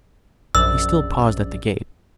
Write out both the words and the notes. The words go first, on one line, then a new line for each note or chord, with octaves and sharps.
He still paused at the gate.
A#1 F#2 D5 E6